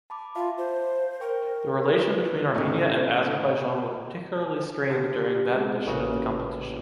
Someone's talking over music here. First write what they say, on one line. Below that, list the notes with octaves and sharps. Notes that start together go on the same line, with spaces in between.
The relation between Armenia and Azerbaijan were particularly strained during that edition of the competition.
A5 B5 D6
F4 E5 F5 A5
C5
A#4 G5 C#6
E4 F4 B4
A2 A3 C#4 D#4
D3 G4
G#3
A1 C#3 A#3 F#4
A#2